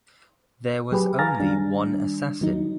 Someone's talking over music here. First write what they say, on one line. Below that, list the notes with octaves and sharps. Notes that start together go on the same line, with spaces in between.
There was only one assassin.
F#3 G4 G#4 B4
F5 G#5 A#5 F6 A6 A#6
D#3 G3 D4
D#3 F#3 D#4